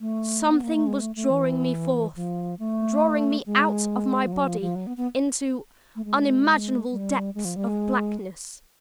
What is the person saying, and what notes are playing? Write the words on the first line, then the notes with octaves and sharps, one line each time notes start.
Something was drawing me forth; drawing me out of my body into unimaginable depths of blackness.
A3
B3
A#3
A3
G#3
A3
A3
E3
F3
A3
G#3
F3
F#3
F3
F3
F#3
B3
B3
A3
G#3
G3
G#3
F3
G3
G#3